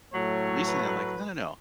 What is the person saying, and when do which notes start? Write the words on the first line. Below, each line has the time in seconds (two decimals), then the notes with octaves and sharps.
recently, I'm like, "No, no, no,
0.13 A2 F#3 A3 C#5
0.67 B4